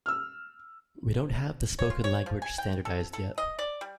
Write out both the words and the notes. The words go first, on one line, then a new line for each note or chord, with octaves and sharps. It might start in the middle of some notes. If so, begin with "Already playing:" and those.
We don't have the spoken language standardised yet.
E6 F6
C#5
F4
C#5
F3
G#5
G5
A4
A4
D#5
D5
G3